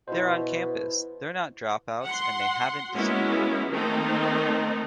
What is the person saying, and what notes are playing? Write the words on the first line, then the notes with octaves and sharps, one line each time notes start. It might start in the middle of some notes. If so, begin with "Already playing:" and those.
They're on campus, they're not dropouts and they haven't disappeared.
B2 E4 C5
F#5 C6
G#3 A#3 B3 C#4 E4 F#4
D#3 A3 A#3 C4 D#4